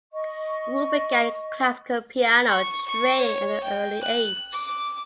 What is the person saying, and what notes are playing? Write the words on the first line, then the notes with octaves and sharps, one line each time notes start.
Wu began classical piano training at an early age.
D#5 C#6
C#6
C#6
C#5
G5
F#6
D6